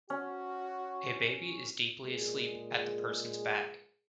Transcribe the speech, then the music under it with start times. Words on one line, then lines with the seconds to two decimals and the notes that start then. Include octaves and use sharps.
A baby is deeply asleep at the person 's back.
0.10 C#4 F#4
2.04 A#2 G#3 G#4